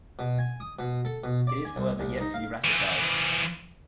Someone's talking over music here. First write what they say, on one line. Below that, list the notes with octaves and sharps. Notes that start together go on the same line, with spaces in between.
It is however yet to be ratified.
B2
G#5
D#6
B2
A4
B2
D5
G#5
C2
C2
D#4
F5
E3 F3